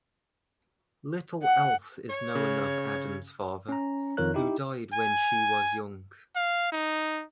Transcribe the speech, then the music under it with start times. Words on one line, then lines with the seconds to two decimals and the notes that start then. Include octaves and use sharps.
Little else is known of Adams's father, who died when she was young.
1.43 F#5
2.10 C#5
2.35 C#3
3.69 C#4 A#5
4.17 F2 D#3 F4 A#4 C#5 F#6
4.34 D#4 E4 G4
4.93 G#5
6.36 F5
6.72 D#4